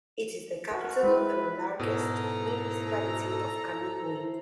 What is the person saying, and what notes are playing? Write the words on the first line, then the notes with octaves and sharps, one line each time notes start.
It is the capital and largest municipality of Camiguin.
F#4 A#4
G#3 E4 B4
G#2 B2 E4 A4 C5 A#5